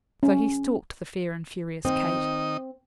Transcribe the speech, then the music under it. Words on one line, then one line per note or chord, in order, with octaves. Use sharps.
So he stalked the fair and furious Kate.'
C#4
D#3 C4 D#4 D#6